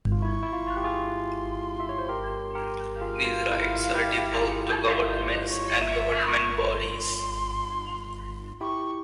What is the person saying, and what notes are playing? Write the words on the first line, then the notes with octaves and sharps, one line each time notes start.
These rights are devolved to governments and government bodies.
F4
E4 C#6
E4
F4
F4
G4
F4 G#4
C6
E5
C#5
C5
G4 A#4
G4 A#4
F4 G#4 F5
F4
E4
E4
F4
E4 G4
E4 G4
F4 G#4
F4 E5
C5
C#5
E5
C#6
C6
E4 G4 C#6